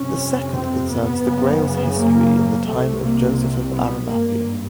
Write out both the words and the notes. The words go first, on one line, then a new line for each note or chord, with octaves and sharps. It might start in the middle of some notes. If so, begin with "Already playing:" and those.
The second concerns the Grail's history in the time of Joseph of Arimathea.
Already playing: G1 F2 C3 C#4
C4
B3
F#1 F#2 C#3
A#3
C2 C3 A3
A#3
B3
G#1 G2 A#3